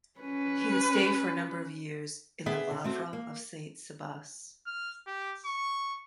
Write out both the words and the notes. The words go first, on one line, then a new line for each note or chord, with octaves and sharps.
He would stay for number of years in the Lavra of Saint Sabas.
C#4 B4
B3 G#4 E5 G5
C#3
A3 C4 F#4
A#3
F6
G4
C#6